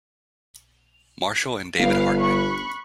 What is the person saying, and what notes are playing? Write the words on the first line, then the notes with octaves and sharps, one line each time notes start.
Marshall and David Hartman.
G1 B4 F5
B5 C#6 F#6